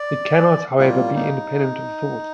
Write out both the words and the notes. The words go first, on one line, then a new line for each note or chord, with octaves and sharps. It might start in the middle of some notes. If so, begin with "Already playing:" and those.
It cannot, however, be independent of thought.
Already playing: D5
A2 G3 A#3 F4
D#4